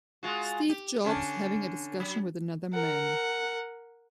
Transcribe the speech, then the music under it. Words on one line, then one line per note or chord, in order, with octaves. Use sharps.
Steve Jobs having a discussion with another man.
G#3 F4 F#4
G4
D3 C#4 D4
F#3
A#4 F#5